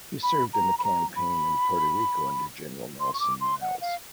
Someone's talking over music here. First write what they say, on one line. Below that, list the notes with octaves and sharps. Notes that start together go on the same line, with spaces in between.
He served in the campaign in Puerto Rico under General Nelson Miles.
B5
A#5
B5
A#5
B5
C6
C#6
D6
C6
F#5
F5